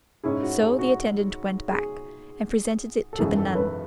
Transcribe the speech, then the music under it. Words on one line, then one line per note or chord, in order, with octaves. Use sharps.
So the attendant went back, and presented it to the nun.
G#2 G#3 C#4 E4 G#4
F#4
G#4
F#4
G#4
A4
G#1 F#2 E3 G#4
A4
B4